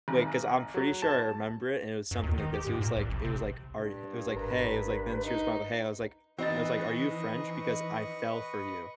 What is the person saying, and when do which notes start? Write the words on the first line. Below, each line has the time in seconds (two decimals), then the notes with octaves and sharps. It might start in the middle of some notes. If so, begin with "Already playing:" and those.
Wait, 'cause I'm pretty sure I remember it, and it was something like this. It was like it was like, "Are h" it was like, "Hey." It was like then she was probably, "Hey." I was like I was like, "Are you French? Because I fell for you"
0.08 G#1
0.74 F#3
1.02 A5
2.11 F#2
2.23 D#2
2.38 D#3
2.54 G4
2.67 G#2
2.81 A#2
2.96 C2
3.10 A1
3.24 C3
3.78 G2
4.34 G#1 A#4 B4 A#5
5.24 D#4
6.38 E3 C4 D#4 B4 D#5 C#6 A6